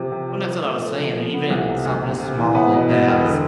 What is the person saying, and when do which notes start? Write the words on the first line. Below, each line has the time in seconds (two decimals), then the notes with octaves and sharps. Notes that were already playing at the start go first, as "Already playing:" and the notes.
Well, and that's what I was saying, that even something as small as,
Already playing: C3 F3
0.12 C3
0.30 C4
0.46 F3
0.64 A3
0.82 F3
0.99 A3
1.16 F3
1.34 B3
1.51 C2
1.69 C3
1.85 D2
2.03 C3
2.20 C3
2.37 E3
2.55 B3
2.72 B2
2.89 B2
3.07 E1
3.24 D3